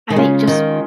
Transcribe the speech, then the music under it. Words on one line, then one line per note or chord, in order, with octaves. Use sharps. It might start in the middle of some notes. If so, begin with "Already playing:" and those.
I think just
D#3
C#3 G#3 C#4 F4
D#3